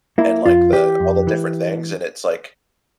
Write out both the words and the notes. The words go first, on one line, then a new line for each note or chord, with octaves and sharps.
and, like, the all the different things and it's like,
A#3 E4
F2 F4
E3 G4
F2
E3